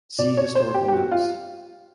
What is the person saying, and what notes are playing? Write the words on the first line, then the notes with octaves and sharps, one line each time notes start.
See historical notes.
B2 D5
C#5
C5
G4
G4
F#4
F4